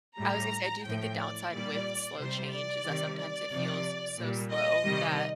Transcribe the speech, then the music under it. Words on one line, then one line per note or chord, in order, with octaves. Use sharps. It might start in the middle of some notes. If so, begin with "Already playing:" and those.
I was gonna say, I do think the downside with slow change is that sometimes it feels so slow that
A2 G3 A#5
A2 F3 G5
D5
A#2 G3 D5
C3 G3 C5
D5
C3 D#3 G3
D5
C3 F3
A#2 G3
D#5
C3 D#3 G3